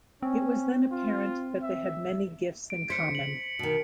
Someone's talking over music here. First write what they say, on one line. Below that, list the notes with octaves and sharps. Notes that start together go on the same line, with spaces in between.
It was then apparent that they had many gifts in common.
C4 C#4
F4
E5
D7
C5 B6 C#7
F#7
B2 D#3